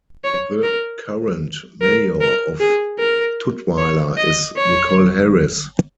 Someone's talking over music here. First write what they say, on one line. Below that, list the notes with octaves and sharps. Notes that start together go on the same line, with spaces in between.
The current mayor of Tutwiler is Nichole Harris.
C#5
A#4
A#4
A#4
G#4
A#4
C#5
D#5
C#5